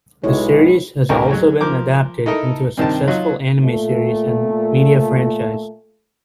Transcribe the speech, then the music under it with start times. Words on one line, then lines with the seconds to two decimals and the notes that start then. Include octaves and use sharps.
The series has also been adapted into a successful anime series and media franchise.
0.24 B1 G#3 E4 C#5
1.09 A1 D2 G4 A#4 C#6
1.31 F#3 G#3 C#5
1.61 F3 A#4 D6
2.26 D#4 E4 A4 A#4 D#5
2.77 G2 C3 D#3 C4 C5 A5
3.07 F#3 D#4 F4 F#4
3.64 A#2 A3